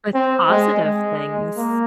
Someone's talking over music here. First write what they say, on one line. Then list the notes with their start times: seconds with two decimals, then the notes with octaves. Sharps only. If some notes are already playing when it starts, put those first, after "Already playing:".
With positive things.
0.14 C4
0.49 G#3
0.86 G#3
1.57 A#3